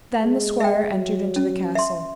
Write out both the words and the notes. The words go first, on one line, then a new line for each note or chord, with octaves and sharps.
Then the squire entered into the castle.
G#3
E5 G5
F#3
C#4
E5 C6